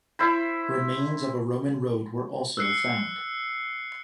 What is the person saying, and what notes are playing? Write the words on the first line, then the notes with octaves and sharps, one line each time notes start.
Remains of a Roman road were also found.
E4 C5 B5
E6 F#6 C7 C#7